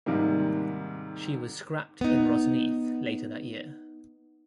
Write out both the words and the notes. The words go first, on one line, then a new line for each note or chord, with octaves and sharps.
She was scrapped in Rosneath later that year.
G#2 C3 D#3 G3 A#3
B3 D#4